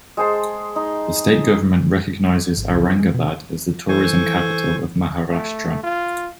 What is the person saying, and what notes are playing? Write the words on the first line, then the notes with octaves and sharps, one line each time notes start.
The state government recognises Aurangabad as the "Tourism Capital of Maharashtra".
G#3 G#4 C5 A5
D#4
G#1
C#2
C4
G#3
B2
E3 A4 C5 G#5 C#6
A3
F4